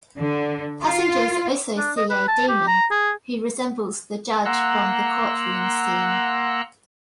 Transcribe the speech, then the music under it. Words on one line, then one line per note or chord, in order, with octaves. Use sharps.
Passengers also see a demon who resembles the Judge from the courtroom scene.
D3
F4
D4
D#5
B4
A5
G4
A#5
G#4
A#3 F#5 A#5 C6 E6 F#6